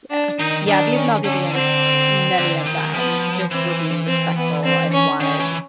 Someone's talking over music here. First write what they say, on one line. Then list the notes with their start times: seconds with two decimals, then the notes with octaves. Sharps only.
yeah. Yeah, these Maldivians, many of them, just were being respectful and wanted
0.10 D4
0.39 D#3 D#4
0.67 D#3 D4
0.96 C#4
1.24 D3 C#4
1.52 C4
2.38 D3
2.66 D#3
2.94 F3 B3
3.51 E3 C4
4.07 C4
4.36 B3
4.64 C4
4.92 C#4
5.20 D#3 C#4
5.40 E3